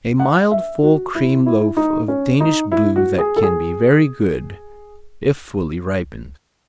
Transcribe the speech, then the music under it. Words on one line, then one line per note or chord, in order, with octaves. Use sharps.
A mild, full cream loaf of Danish blue that can be very good if fully ripened.
F#5
E5
F#4
E4
E4
D#4
C#4
D#4
E4
F#4
G#4
A4
G#4